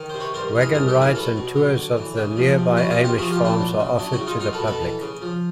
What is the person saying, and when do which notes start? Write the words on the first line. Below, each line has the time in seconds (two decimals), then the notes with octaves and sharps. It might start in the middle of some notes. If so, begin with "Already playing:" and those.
Wagon rides and tours of the nearby Amish farms are offered to the public.
Already playing: D#3
0.10 C3 C5
0.20 B4 C#5
0.34 G2 A#4 C5
0.55 E3
0.61 G#4 A#4
0.74 G2 G#4 A#4
0.88 G4 A4
0.95 E3
1.01 G#4 A#4
1.15 F#3 A4 B4
1.36 B2
1.56 F#3
1.76 D3
1.97 E3
2.17 C#3
2.36 F3
2.58 C3
2.77 E3 E4 F#4
2.91 D#4 F4
2.98 C3
3.04 F4 G4
3.18 F3 F#4 G#4
3.31 F4 G4
3.38 A#2
3.45 D4 E4
3.59 F#3
3.80 C#3
3.99 F#3 D4 E4
4.12 E4 F#4
4.19 C#3
4.26 D#4 F4
4.40 F#3 D#4 F4
4.53 A4 B4
4.60 B2
4.67 A4 B4
4.81 E3
5.01 C#3
5.22 F3